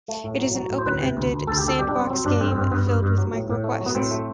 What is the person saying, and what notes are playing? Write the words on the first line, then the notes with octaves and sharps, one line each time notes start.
It is an open-ended, sandbox game, filled with "microquests".
A3
A2
F#3
F#3
A2
C5
D2 B4
C3
D2
D2
D2 A4
G4
D2 A4
G3 G4
D4
G3
C4
F#3 C4
G2 D4
G2 C4
C4
G2
C4
G2 B3
G2
G2
F#3
A2
A2
A3
F#3
B3
A2 C4
A3